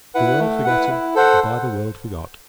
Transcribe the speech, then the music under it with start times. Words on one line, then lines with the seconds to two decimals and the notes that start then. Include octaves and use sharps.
"The world forgetting, by the world forgot."
0.15 E4 B4 F#5
0.40 A3
0.65 E4 B4 F#5
0.90 E4
1.15 A4 C5 F#5